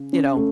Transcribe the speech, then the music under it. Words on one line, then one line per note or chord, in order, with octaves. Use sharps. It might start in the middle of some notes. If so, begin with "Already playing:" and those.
you know,
Already playing: C#3
C#4
A3